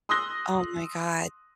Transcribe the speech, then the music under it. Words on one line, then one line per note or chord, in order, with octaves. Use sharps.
Oh my god.
C6 D#6 E6 F#6 A#6 G7